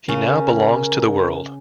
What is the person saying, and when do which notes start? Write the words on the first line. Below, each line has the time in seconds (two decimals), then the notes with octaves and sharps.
He now belongs to the world.
0.08 C#3 C#4 A#4